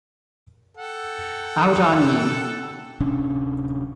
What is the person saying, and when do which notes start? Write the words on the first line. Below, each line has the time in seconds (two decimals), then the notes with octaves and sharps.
Out on ye!
0.77 A4 F#5 G5
3.00 D1 C3 C#4 D4